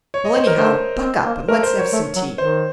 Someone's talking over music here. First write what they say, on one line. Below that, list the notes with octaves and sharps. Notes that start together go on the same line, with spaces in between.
Well, anyhow, buck up, and let's have some tea.
C#5
D#5
C5
A#4
A3 C5
C4
A#3
A3 A#4
C5
C#5
A3
F#3
D#3 C5